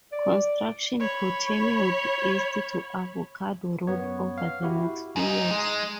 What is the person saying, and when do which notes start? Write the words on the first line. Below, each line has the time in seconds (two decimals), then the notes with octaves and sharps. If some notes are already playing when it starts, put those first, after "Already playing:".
Construction continued east to Avocado Road over the next few years.
0.12 D5
1.00 C#5 B5
3.87 F#2 B3 C#5
4.38 F5
4.62 E4 F#4 G4
5.16 F#2 D#4
5.51 G#3